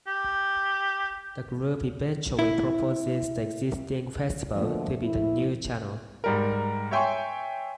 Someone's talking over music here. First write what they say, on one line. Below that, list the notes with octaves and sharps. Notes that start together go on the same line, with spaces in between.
The group eventually proposes the existing "Festival" to be the "new" channel.
G4
E4
B2 D3 F3 A3 A#3
E4
G#2 G3 A#4
C#5 E5 G5 G#5 C6 C#6